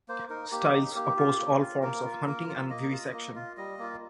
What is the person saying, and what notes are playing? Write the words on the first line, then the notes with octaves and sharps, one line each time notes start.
Styles opposed all forms of hunting and vivisection.
A#3 C5
D#4 A#4
A#3 G4
D#4
A#3 G4
F4
A#3
F4
A#3 A#4
F4
A#3 A#4
F4
A#3 D#5
F4
A#3
F4
G3 D#5
A#3 F4